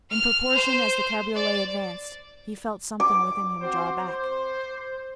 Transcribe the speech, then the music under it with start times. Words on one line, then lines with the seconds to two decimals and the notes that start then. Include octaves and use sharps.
In proportion as the cabriolet advanced, he felt something within him draw back.
0.11 F6
0.54 C5
1.36 D5
3.00 D6
3.61 C4 F#4 C5
4.07 C5